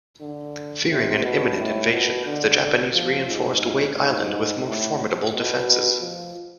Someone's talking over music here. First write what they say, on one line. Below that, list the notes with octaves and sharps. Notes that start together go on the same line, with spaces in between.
Fearing an imminent invasion, the Japanese reinforced Wake Island with more formidable defenses.
D3
C3
B2
A2
B2
D3
F3
G#2
G#2
A2
B2
F3